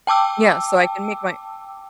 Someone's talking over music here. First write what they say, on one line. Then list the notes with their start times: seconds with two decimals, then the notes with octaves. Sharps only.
Yeah, so I can make my
0.07 G5 A5 D6 E6